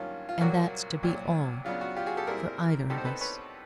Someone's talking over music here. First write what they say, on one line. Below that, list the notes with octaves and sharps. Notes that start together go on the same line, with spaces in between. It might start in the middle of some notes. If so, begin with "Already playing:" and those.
"And that's to be all--for either of us?"
Already playing: G2 D#3 F#3 A#3 C#4 F4
F4
C2 A#2 F#3 A#3 F#4
C2 A#2 F#3
C#3 F#3 B3 D4 F4
F#4
F4 G4
F#4 G#4
G4 A4
A#2 G3 C4 E4 G#4 A#4
B2 G3 C4 D#4 G4 A4
C5
A4 B4
B4 C#5